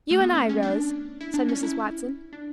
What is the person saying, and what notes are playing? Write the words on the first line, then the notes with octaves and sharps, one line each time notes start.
"You and I, Rose," said Mrs. Watson.
A3
B3
C#4
C#4
D4
E4
D4
C#4
E4
D4